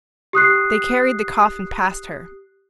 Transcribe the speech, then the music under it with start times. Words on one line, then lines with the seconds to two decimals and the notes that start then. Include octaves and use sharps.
They carried the coffin past her.
0.33 G4 D#6 F#6 C7